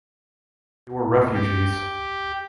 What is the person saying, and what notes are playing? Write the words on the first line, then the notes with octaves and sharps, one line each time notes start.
They were refugees.
G4